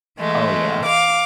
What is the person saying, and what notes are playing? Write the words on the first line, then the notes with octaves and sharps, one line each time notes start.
Oh yeah.
E3 G#3 A3
F5 D6